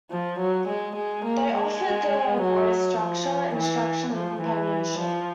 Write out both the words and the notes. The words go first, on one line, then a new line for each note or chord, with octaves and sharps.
They offered the boys structure, instruction and companionship.
F3
F#3
G#3
G#3
A#3
G#3
F#3
F3
E3
F3
E3
F3